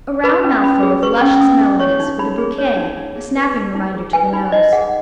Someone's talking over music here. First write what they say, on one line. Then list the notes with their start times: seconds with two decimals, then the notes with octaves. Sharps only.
A round mouthful of luscious mellowness, with a bouquet--a snapping reminder to the nose.
0.24 B4 B5
0.44 C#4
0.63 C#4 B5
0.83 G#4
1.02 B4 C#6
1.21 C#4
1.41 C#4 D#6
1.61 G#4
1.80 C#5 C#6
2.00 D#4
2.19 D#4 B5
2.38 G#4
2.58 C#5
2.77 D#4
2.97 D#4
3.16 G#4
3.36 B4
3.55 D#4
3.75 D#4
3.95 G#4
4.13 B4 G#5
4.33 D#4 B5
4.52 D#4 D#5
4.73 G#4 F#5